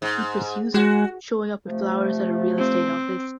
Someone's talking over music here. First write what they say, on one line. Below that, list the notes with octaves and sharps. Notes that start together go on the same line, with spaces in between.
He pursues her, showing up with flowers at her real estate office.
G#2
G#3 F#4
C3 F3 A3
C4